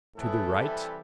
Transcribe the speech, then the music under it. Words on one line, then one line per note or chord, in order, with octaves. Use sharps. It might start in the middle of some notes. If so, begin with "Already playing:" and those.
To the right.
A2 E3 B3 A4
C3 E3 G3